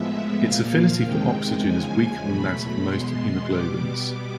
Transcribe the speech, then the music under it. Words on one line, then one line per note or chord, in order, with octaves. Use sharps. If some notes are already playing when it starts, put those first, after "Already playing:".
Its affinity for oxygen is weaker than that of most hemoglobins.
Already playing: A2 F3 G#3 B3 E5
A#2 F3 A#3 F5
E2 C3 D#3 G#3 G5
E2 C#3 F3 G#3 G#5
E2 B2 F#3 A3 B5
E2 B2 G#3 B3 C6
B2 G3 B3 D6